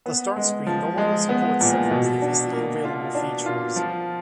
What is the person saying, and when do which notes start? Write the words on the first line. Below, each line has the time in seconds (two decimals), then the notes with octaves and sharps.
The Start screen no longer supports several previously available features.
0.06 B3
0.36 G#3
0.67 F3
0.98 G#3
1.29 B3
1.61 A#2
1.91 B2
2.22 D4
2.52 A#3
2.84 F4
3.15 D4
3.46 F4
3.76 F3